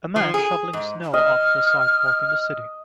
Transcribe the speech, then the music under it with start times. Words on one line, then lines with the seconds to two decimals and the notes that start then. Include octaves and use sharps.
A man shoveling snow off the sidewalk in the city.
0.16 F3
0.34 G#4
0.73 G#2
1.14 D#5 F6